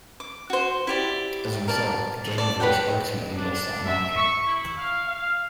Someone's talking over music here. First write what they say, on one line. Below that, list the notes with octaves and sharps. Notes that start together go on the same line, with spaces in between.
As a result, the Game Voice ultimately lost that market.
D6
F#4 C5
E4 G4 D5
A#4 D5 A5
D5 A5
B4 C#5 F#5 G5
D4
E5
C#6
E4
F5
F5